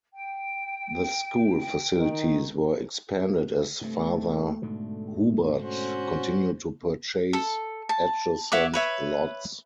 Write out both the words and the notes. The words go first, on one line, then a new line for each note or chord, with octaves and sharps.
The school facilities were expanded as Father Hubert continued to purchase adjacent lots.
G5
D#3
G2 C3 A3
G#2 B2 D3
C#4 F#4 C5
A4
A5
C#5 E5 F#5 D6
B4 C#5 E5